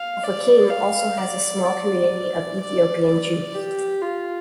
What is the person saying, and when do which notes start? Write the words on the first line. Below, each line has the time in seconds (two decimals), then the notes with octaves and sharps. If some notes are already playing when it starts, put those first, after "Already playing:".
Ofakim also has a small community of Ethiopian Jews.
Already playing: F5
0.23 D5
0.71 F5
1.18 D5
1.66 D5
2.60 D5
3.06 D5
3.55 G4
4.01 F4